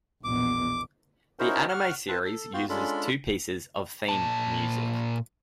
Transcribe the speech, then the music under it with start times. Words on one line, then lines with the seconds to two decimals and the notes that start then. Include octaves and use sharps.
The anime series uses two pieces of theme music.
0.24 A#1 E2 B2 D6
1.39 C#4 D#4 E4 F#4 A#4 C5
1.69 F#5 C#6 F6
2.08 C4 F4 B4 A5
2.24 A4
2.54 B3 F4 F#4 F5 G5 C6
2.69 G#3 C#4 D4 F4 A4 B5
4.09 A#2 A5